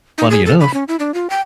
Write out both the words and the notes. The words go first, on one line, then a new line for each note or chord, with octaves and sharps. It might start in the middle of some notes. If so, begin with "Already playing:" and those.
funny enough
D#4
G#4
A4
B5
C#4
E4
D4
F4
G5